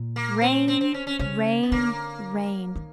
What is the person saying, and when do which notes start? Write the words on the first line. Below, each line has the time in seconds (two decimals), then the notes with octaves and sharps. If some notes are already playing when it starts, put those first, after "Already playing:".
Rain, rain, rain!
Already playing: A#2
0.16 A#3
0.42 C4
0.68 C4
0.81 C4
0.94 C#4
1.07 C#4
1.19 C#3 C#4
1.63 B3
1.72 D3 A#3
2.75 D#3